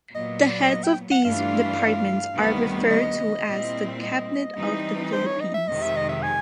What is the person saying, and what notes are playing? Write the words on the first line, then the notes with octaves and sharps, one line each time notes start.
The heads of these departments are referred to as the Cabinet of the Philippines.
A#2 F#3 B3 D#5
D5
D#5
G5
F#5
G2 E3 A3 D4 F4 F5
D2 C3 D#3 G3 B3
D#5
A#2 G3 C4 E4
D#5
E3 G3 C4 D#4
C5
C#5
D#5
E5
F2 C3 D#3 G#3 D#5
E5
D#5
E5
G#5